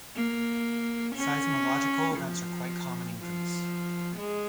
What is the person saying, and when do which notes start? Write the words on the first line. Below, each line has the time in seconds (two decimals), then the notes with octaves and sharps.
Seismological events are quite common in Greece.
0.15 A#3
1.16 C#4
2.16 F3
3.17 F3
4.17 G#3